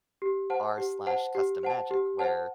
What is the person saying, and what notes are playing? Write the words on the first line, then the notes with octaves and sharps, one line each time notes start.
r/custommagic, where,
G4
C5 F#5 A5
G4
C5 F#5 A5
G4
C5 F#5 A5
G4
C5 F#5 A5